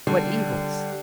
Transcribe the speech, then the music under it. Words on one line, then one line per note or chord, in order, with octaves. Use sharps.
What evils?
D3 G3